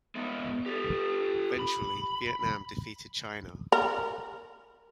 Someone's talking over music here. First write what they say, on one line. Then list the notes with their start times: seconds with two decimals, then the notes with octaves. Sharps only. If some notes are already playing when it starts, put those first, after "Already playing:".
Eventually, Vietnam defeated China.
0.15 G#3 B3
0.66 G4 A4
1.59 B5
3.72 A#4